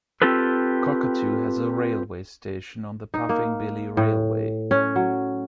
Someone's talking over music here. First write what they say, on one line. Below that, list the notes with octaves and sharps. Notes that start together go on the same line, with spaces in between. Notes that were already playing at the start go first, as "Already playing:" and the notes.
Cockatoo has a railway station on the Puffing Billy Railway.
C4 F4 G4 A4 B4
D#4
A#3
A2
C#4
F#3